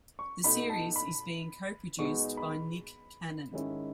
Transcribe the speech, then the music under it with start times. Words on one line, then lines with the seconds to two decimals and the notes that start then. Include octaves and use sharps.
The series is being co-produced by Nick Cannon.
0.19 C#6
0.44 B2 A3 D#4 B5
0.70 A5
0.96 B5
1.99 B2 G#3 B3 D#4 C#6
2.37 B5
3.53 G#2 D#3 G#3 C#4 E4